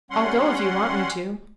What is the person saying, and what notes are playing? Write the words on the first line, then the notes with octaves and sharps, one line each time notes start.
"I'll go if you want me to."
G3 C#4 F#5 C6